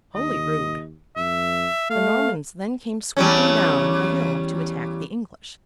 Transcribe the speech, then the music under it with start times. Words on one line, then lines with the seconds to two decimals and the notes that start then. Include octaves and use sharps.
Holy Rood!' The Normans then came sweeping down the hill to attack the English.
0.15 D#2 D#5
1.16 F2 E5
1.90 A3 F5
3.17 E2 G3 C#4